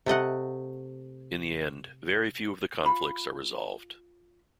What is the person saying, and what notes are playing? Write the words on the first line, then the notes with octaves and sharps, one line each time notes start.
In the end, very few of the conflicts are resolved.
C3 A3 D#5 F#5
F4 B5